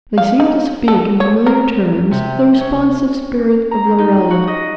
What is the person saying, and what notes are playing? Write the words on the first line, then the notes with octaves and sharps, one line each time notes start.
They seemed to speak in familiar terms to the responsive spirit of Lorella.
F5
D#4
A4
C#5
A#4
C3
C#4
A#5
D#4
F#4
D#5